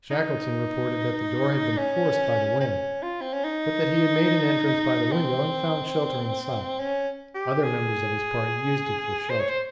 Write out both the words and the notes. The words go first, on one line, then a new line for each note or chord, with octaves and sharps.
Shackleton reported that the door had been forced by the wind, but that he had made an entrance by the window and found shelter inside--other members of his party used it for shelter.
D#4
C#4
C#4
F4
C4
C#4
D#4
C4
C#4
G4
G#4
C5
C#5
C5